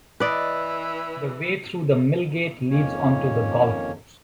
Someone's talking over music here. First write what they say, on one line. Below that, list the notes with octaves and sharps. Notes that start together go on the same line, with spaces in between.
The way through the mill gate leads onto the golf course.
E3 B4 D5 D#5
F2 D#3 A#3 C#4 C#5